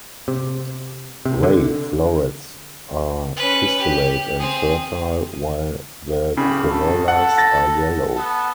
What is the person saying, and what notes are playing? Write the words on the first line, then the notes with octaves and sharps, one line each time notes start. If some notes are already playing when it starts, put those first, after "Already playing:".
Ray florets are pistillate and fertile while the corollas are yellow.
C3
C3
D3
C#4 B4
G4
C4 G#4
D1 C#3 G4 B5
A4
A4 F#5
A6 A#6
B3 A4